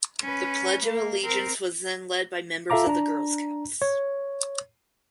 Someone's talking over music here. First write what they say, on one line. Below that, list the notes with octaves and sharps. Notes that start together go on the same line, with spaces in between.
The Pledge of Allegiance was then led by members of the Girl Scouts.
C#4 B4
A#3
C4 A#4
F4 A4 E5 F5 A#5 D6
D4 A#5
C#5